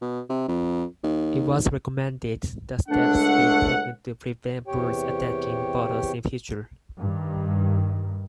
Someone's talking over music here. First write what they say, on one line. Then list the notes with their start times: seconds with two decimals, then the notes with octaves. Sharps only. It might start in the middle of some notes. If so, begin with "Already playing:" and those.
It was recommended that steps be taken to prevent birds attacking bottles in future.
0.02 B2
0.30 C3
0.49 F2
1.03 D#2
2.88 C#2 A3 D4 F#5
4.67 E2 C3 G4 C#5 G5
6.98 G2 D#3